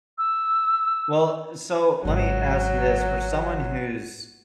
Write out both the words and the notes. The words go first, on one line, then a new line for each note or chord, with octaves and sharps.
Well, uh, so, let me ask you this. For someone who's
E6
G#1 C#3 F#3